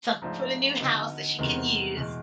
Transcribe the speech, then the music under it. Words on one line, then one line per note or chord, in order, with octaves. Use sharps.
Something for the new house that she can use.
G#2 F3 A3 D4
D3 F#3 B3 D#4
E2 C3 D#3 G#3 B3
E2 B2 G#3